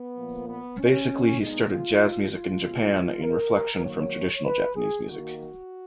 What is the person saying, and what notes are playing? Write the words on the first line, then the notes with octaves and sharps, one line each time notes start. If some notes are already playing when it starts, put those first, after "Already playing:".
Basically, he started jazz music in Japan in reflection from traditional Japanese music.
Already playing: B3
A#2 F3 A#3
B3
C#4
A#2 G#3 B3 D#4
F4
F4
B2 G#3 B3
A#4
D#3 F#3 A#3 C#5
B4
G#4
D#3 A#3 F#4
F#4